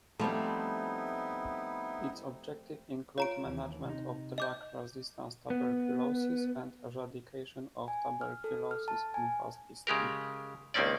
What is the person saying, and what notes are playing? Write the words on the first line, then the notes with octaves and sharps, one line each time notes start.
Its objective include "Management of Drug Resistant Tuberculosis" and "Eradication of Tuberculosis" in Pakistan.
F3 G3 A3 B3 C4 D#4 E4
F4 C#5 A#5 D7
D#2 E3
C3 D#4
D#5 D6 G6
B3
G#5
F6
A4
F6
A5
G#5
C#3 G#3 G4 A#4
C#2 D#3 A#3 C4 C#4 D5